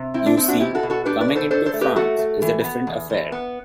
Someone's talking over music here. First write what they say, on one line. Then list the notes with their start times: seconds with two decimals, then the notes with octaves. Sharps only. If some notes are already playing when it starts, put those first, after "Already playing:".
You see, coming into France is a different affair.
Already playing: C3
0.14 C4 E4
0.26 D4
0.37 C4 E4
0.48 D4 F#4
0.60 B2 E4 G4
0.75 F#4 A4
0.83 B2
0.90 F#4 A4
1.05 D4 G4 B4
1.21 B4 D5
1.28 B2
1.35 A4 C5
1.51 D4 A4 C5
1.66 A4 C5
1.73 A3
1.81 G4 B4
1.96 A3 F#4 A4
2.19 A3
2.42 E3
2.64 B3
2.87 E2
3.10 E2
3.32 B3